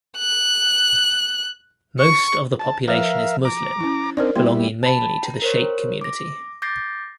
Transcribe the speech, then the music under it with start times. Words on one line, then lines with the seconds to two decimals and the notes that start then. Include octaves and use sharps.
Most of the population is Muslim, belonging mainly to the Shaikh community.
0.18 F#6
2.00 C#6
2.59 A5
2.88 F3 A#4 B4 E5 F5
3.45 A#5 D6
3.80 C#4 E4
4.17 C4 D4 D#4 A#4 C5 D5
4.36 G3 A#3 B3 E4 C6
4.83 A5 B5
5.22 G5 A#5
5.42 A#4 C5 C#5
6.01 D6 A#6
6.62 D6 G6 A6 A#6 C7